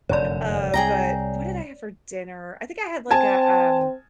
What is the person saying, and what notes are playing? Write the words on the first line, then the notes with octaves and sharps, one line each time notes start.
Uh, but what did I have for dinner? I think I had, like, a, um
F1 F#2 D3 C#5 D5
C2 G#4 G5 A#5
C4 G#5 A5 G#6